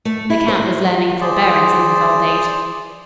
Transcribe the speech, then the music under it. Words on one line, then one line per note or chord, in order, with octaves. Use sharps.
The count was learning forbearance in his old age.
A3
E4
C5
G#4 C5 D5